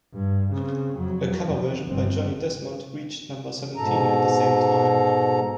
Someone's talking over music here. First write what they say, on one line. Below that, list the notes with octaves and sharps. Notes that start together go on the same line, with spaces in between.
A cover version by Johnny Desmond reached number seventeen at the same time.
G2
C#3 C4
F2 F#3
F2
G1 C4
G#2 B2 A4 A#5